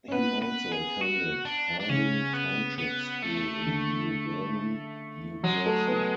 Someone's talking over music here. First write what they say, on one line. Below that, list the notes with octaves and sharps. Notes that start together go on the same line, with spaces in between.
He also attended Harding Township School in New Vernon, New Jersey.
C#4
B3 B4
B4
G#4
F#4
D4
D4
C#3 C#4
B3
B3
A3
D3
F#3 G#3
A3
B3